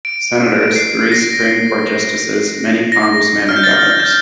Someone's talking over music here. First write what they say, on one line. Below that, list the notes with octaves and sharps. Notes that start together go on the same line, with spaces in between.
Senators, three Supreme Court Justices, many congressmen, and governors.
D7
C7
A#6
A#6
F6
G6
A6
G6